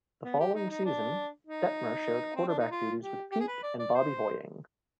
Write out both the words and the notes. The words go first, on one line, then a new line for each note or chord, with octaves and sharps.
The following season, Detmer shared quarterback duties with Peete and Bobby Hoying.
B3
G4
D#4
D#4
D4
D#4
C4
D4
D#4
F4
G4
G4
G#4
B4
D5
D5
C5